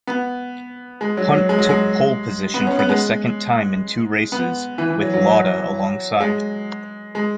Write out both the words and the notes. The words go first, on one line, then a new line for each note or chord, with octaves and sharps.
Hunt took pole position for the second time in two races, with Lauda alongside.
B3
G#3
F#3
F#3
G#3
F#3
G#3
B3
C#4
B3
G#3
B3
E3
E3
F#3
F#3
G#3
G#3